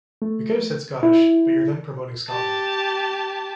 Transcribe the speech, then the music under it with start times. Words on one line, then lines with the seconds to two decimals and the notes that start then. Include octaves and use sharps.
We could have said Scottish but you're then promoting Scotland.
0.22 A3
1.03 E4
2.29 G4 A5